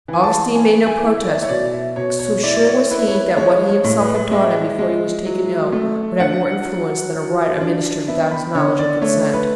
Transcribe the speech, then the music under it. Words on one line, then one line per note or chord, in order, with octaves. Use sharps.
Augustine made no protest, so sure was he that what he himself had taught him before he was taken ill would have more influence than a rite administered without his knowledge or consent.
E3 G#5
A5
B3 G#5
G#5
E4
E5
D5
E5
C#5
B2 D5
E5
B2 C#5
C#5
E4 D5
D5
C#5
E4 B4
C#5
B4
G#3 C#5
C#5
A2
B4
G#3 E5
G#3
F#3
A3
D4 F#5
F#3
F#3
D4
B3 E5
B5
D3 C#5
D5
A3 C#5
B4